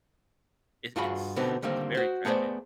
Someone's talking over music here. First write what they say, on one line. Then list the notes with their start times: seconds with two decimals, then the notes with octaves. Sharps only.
It it's it's very tragic.
0.96 G2 F4 F#4 G#4 B5
1.36 B2 D3 B3 C4 D#4 G4
1.62 D3 D#3 G3 A#3 C4
1.95 F#4 C5
2.25 A3 B3 G#4 C5 D5